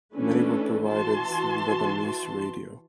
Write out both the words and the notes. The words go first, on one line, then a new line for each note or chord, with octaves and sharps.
Many were provided through Lebanese radio.
E3 A3 C#4 D4 A4 B4
E3 F#4 A5 C6